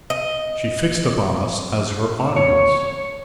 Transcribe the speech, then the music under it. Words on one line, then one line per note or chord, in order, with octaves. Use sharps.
She fixed upon us as her audience.
D#5
C#5